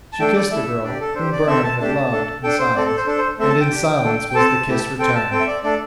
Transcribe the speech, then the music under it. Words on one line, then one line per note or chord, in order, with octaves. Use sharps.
She kissed the girl, whom Bernard had loved, in silence; and in silence was the kiss returned.
A5
A3 D4 A4 G5
D5
A3 E4 A4 E5
D4 G4 D5
A4
D4 G4 C5
D5
C4 A4 E5
A5
A3 D4 G4 A5
A3 D4 A4
D4 A4 G5
C5
C4 A4 D5
A4
C5
D4 A4
C5
A3 C4 A4 E5
A5
G5
D4 G4
A3 D4 A4
G5
C4 A4 A5
A3 E4 G4
C4 A4 G5
A5
C4 A4 G5
E5
D5
A3 D4 A4 D5